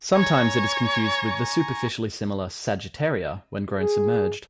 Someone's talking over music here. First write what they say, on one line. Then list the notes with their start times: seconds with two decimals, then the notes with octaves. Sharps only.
Sometimes it is confused with the superficially similar "Sagittaria" when grown submerged.
0.14 C#5 G#5 A#5 C#6
3.76 G#4